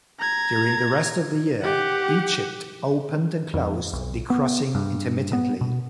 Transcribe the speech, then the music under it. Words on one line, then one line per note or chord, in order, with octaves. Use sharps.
During the rest of the year Egypt opened and closed the crossing intermittently.
A#5 G#6
G4 F#5
F2
B1
B3
G2
B3
B2